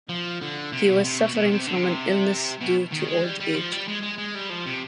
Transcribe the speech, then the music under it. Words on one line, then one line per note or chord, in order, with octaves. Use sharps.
He was suffering from an illness due to old age.
F3
D3
C3
B2
C3
B2
B2
C3
D3
C3
B2
D#3
G#3
G3
G3
F3
G3
G#3
G#3
G#3
G3
F3
C3